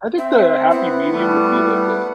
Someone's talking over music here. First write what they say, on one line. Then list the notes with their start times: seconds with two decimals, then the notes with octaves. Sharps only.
I think the happy medium would be like, uh,
0.18 C4 E5
0.70 B3 E4 F#5
1.11 G3 A3